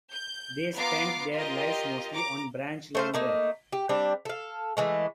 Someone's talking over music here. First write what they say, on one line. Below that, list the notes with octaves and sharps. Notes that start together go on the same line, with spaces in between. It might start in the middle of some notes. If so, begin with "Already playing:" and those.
They spent their lives mostly on branch line work.
G6
B3 F4 F5 A#5 D6 C7
F4 G4 A#4 D#5
A#5 D6
A3 C5 F5
A3 A#3 D#4
G4
G3 C4 D4
A4 F5
E3 G#3 A3